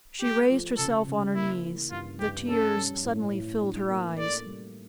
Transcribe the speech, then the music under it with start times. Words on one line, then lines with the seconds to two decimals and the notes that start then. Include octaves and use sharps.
She raised herself on her knees; the tears suddenly filled her eyes.
0.22 A3 G4
0.50 F3
0.78 C#3 A4
1.07 C#3
1.35 A#3 E4
1.63 E3
1.91 G2 F4
2.20 G2 G4
2.48 C#4 A4
2.76 G3
3.05 A2
3.33 A2
3.62 D4
3.89 A#3
4.18 A4 D5
4.46 G3